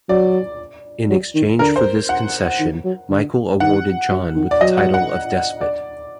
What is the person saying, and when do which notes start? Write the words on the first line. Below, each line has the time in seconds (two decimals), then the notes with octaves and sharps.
In exchange for this concession, Michael awarded John with the title of Despot.
0.09 F#3 D5
1.10 F#3
1.35 D#3
1.59 D3 A#4
1.76 C5
2.09 F#5
2.60 D#3
2.84 F#3
3.10 D3
3.60 D#3 F#5
4.10 F#3
4.35 D#3
4.51 D5
4.61 F#3 D#5
4.77 F#5
4.94 F#5
5.61 D5